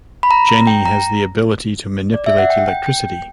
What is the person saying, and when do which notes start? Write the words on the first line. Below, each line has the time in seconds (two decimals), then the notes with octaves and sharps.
Jenny has the ability to manipulate electricity.
0.23 B5
0.31 A#5
0.49 A#5
0.67 G5
0.85 A#5
2.14 D5
2.26 E5
2.38 F#5
2.50 G5
2.68 G5
2.86 G5